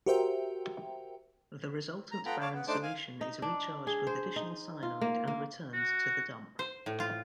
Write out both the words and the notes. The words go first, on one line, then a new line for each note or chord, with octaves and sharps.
The resultant barren solution is recharged with additional cyanide and returned to the dump.
F#4 G4 A#4 C5 E5 G5
A#5
B3 F4 A4 G5 A#5 B5
C#5 D5 F5 A5
B3
A3 D4 D#4 C5 A5 D6
F5 G#5
D#4
D4
G#4
C5
D#4
F4
A#3
A#3
F#4
C5
A2
F4